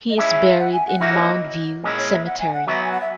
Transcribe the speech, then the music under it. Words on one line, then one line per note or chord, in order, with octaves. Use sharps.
He is buried in Mound View Cemetery.
D#5
G#3 C#4 E4 E5
F#5
G#5
F#5
E3 A#3 D#4 F#4 E5
C#5
D#5
A#2 G#3 C#4 E4 D#5
C#5
E5
F#5
G#5
F#5
F#3 B3 F#4 E5
G#5
F#5
E5